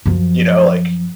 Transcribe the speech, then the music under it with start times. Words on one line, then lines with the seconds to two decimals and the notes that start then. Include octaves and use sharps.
you know, like,
0.06 F#2 F3